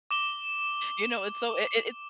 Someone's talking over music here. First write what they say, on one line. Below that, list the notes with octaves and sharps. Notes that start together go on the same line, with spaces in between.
You know, it's so it it
D6 E7 G7